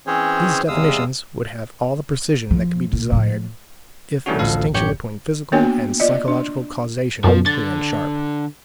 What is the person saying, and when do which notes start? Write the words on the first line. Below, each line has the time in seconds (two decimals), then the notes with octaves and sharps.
These definitions would have all the precision that could be desired if the distinction between physical and psychological causation were clear and sharp.
0.07 E3 C4 C#4 G#4 C5 C#5
0.68 E2 C3 G#3 F5 D#6 E6
2.51 F#2 F3
2.93 A#2
3.12 A2 F3
4.26 E3 G3 A3 C#4 D4 F#4
4.39 A1 D2 F3 A4 F5
4.74 A1 F#2 G4 C#5 G6 C#7
5.52 A#3 B3 D4 F#4 C#5 G5
6.00 F4 D5 D#5
6.28 D4
7.24 F#2 B2 F3
7.46 D3 A6